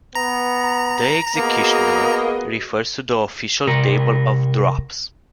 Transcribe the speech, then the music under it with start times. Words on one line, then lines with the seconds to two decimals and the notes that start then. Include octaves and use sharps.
The executioner refers to the Official Table of Drops.
0.15 B3 A#5
1.36 A#3 B3 F#4 G#4 D#5
3.67 C3 A#4